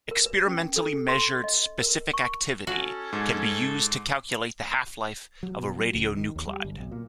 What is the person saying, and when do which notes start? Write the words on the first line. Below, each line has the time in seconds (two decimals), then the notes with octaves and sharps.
Experimentally-measured specific activity can be used to calculate the half-life of a radionuclide.
0.11 A#4
0.26 B4
0.47 C#4
0.76 A4
1.08 C6
1.44 D#5
1.80 A#4
2.14 C#6
2.67 C#4 F#4 A4
3.13 G#2 A4
5.43 F#3
5.59 B2
5.76 F#3
5.95 C#2
6.17 D#3
6.36 D#2
6.47 G3
6.64 G1
6.79 B1
6.91 A#2